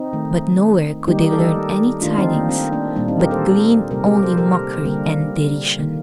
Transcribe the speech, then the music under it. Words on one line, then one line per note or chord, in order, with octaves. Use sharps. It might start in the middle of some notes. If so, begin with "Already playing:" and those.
But nowhere could they learn any tidings, but gleaned only mockery and derision.
Already playing: C4 D#4
D#3 A3
D#3 G3 A#3 D#4 G4
G4 A#4
A4
D#4 G4
D#3 A3 D4 F4
C4 D#4
A#3 D4
C4
A#3 D4
A#2 G3 A#3 D4
C4 D#4
G4 A#4
A4 C5
C3 G3 A#3 G4 A#4
G4 A#4
A4 C5
G4 A#4
D3 G3 A#3 G4 A#4
D#3 A#3